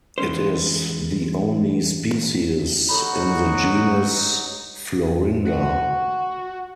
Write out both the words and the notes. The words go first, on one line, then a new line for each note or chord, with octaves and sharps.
It is the only species in the genus Florinda.
E3 G#3 C#4 C5
F#3 D#4 F#4 A4 B5
F#4